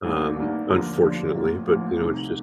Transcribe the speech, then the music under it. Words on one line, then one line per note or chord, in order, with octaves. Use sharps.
um, unfortunately, but, you know, it's just
A1 G2 D#3 A#3 D4
A1 G2 D#3 A#3 D4
D#2 D3 F3 A#3 D4
D#2 D3 F3 A#3 D4
A1 A2 F3 A#3
A1 A2 F3 A#3
C2 C3 D#3 A3